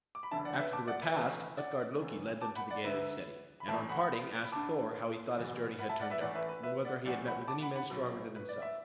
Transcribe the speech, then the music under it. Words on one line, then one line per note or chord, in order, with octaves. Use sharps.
After the repast Utgard-Loki led them to the gate of the city, and on parting asked Thor how he thought his journey had turned out, and whether he had met with any men stronger than himself.
D6
B5
F#1 E2 D3 E5 A5
D5 F#5
B4 E5
A5 D6
D5 F#5
B4 E5
A1 A2 E3
D5 F#5
F#1 E2 E3
A5 D6
F#5 B5
D5 F#5
D2 D3 B4 E5
B5
A1 A2 E3 E5 A5
F#5 B5
B5
D2 D3 A5 D6
F#1 E2 B2
F#5 B5
E5 A5
D5 F#5
B4 E5
A1 A2 E3 D5 F#5
B4 E5
B4
B4 E5
D5 F#5
B1 A2 E3 D5 F#5
F#5 B5
A5 D6
F#5 B5
F#5 B5
B1 B2
B4
D5
E5